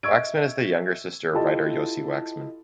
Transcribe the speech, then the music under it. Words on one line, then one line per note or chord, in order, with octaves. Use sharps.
Waxman is the younger sister of writer Yossi Waxman.
D#5 E5 C#6 E6 G#6 D7
E4 F4 G4 A4 D#5 A5